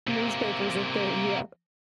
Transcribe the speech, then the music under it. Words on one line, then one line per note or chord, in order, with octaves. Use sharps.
Newspaper's a thing. Yeah.
C3 A#3